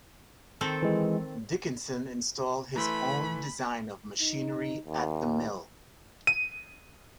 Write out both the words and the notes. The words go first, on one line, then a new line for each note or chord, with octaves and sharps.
Dickinson installed his own design of machinery at the mill.
D#3 C4 A4
E3 G#3
E3 A3 B5 C6
D#4
D#2
D#7